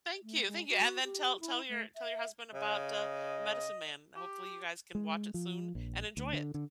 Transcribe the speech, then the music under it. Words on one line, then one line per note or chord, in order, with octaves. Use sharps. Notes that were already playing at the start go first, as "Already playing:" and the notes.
Thank you, thank you. And then tell tell your tell your husband about, uh, The Medicine Man. Hopefully, you guys can watch it soon and enjoy it.
A3
G#3
F#4
G4
E4
A3
E5
C#3 D#5
G4
G#3
F3
A#1
D2
D3
D3